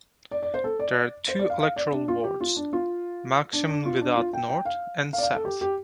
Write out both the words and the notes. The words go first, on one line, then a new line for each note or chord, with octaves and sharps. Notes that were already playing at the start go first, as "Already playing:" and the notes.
There are two electoral wards, Melksham Without North and South.
D5
D5
C5
A4
D5
C5
D5
F5
F5
D5
D4
F4
G4
F4
D4
F4
D4
D4
F4
D4
F4
G5
G5
F5
F5
D5
F5
A4
G4
G4